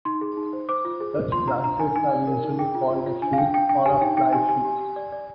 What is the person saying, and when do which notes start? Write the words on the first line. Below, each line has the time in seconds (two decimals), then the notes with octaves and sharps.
Such blankets are usually called a "sheet" or a "fly sheet".
0.05 D#4 C6
0.21 G#4
0.37 D#4
0.53 C5
0.69 C5 D6
0.85 F4
1.00 G#4
1.16 C5
1.32 F4 C6
1.48 D4 A#5
1.64 D4 A#5
1.80 D4 G#5
1.96 D#4 G#5
2.11 D5
2.27 A#4
2.43 D#4
2.59 G#4 G5
2.75 F4
2.90 F4
3.06 F4
3.22 D4 G#5
3.33 F5
3.38 D4 G5
3.54 D4 G5
3.69 D4 G5
3.85 G4 G#5
4.01 D#4 G5
4.17 D#4 G5
4.33 G4 G#5
4.49 G4 G#5
4.65 G4
4.80 G4
4.96 D5
5.12 D5